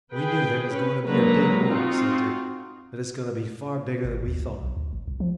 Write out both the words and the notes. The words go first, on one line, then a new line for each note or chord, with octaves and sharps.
"We knew that it was going to be a big war," said Dick, "but it's going to be far bigger than we thought."
G#4 B4 G5
C#4 B4
D3 F#3 G#3 A#3 B4 A#5
C4 D#4 F4 F#4
G#1
D#2
C#2
B1
D2
A1
C2
F3